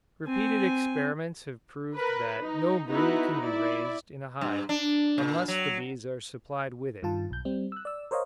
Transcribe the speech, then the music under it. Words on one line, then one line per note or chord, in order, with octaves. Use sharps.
Repeated experiments have proved that no brood can be raised in a hive, unless the bees are supplied with it.
C4 G#5
A#4 B4
D#4
B3 D#4 E4 F#4 B4
E4 D5
G2
D4
A#2
F#3
G2 D#3 F4 A5
B1 G6
G3 C4
E6 F#6
D5 E6
A#4 C5 C#5 D#5 F5